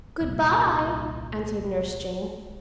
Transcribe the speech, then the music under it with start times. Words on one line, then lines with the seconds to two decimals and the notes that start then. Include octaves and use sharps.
"Good-bye!" answered Nurse Jane.
0.21 D#1 C2